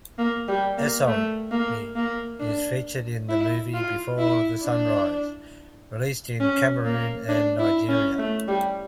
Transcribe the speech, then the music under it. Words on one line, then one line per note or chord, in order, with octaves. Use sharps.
Essome is featured in the movie "Before the Sunrise", released in Cameroon and Nigeria.
A#3
G3
A#3
A3
A#3
A#3
D4
E4
F4
E4
D4
C#4
A#3
D4
E4
C#4
A3
G3